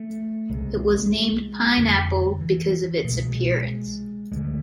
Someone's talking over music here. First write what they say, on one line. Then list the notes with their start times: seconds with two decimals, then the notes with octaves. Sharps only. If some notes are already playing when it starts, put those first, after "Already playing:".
It was named "Pineapple" because of its appearance.
Already playing: A3
0.50 C2 C3 G#3
1.77 F2 D3
2.41 E3
3.04 B2 A3
3.09 C2 G#3
3.21 F3
3.29 G#3
4.32 D2 D3 G#3
4.45 A3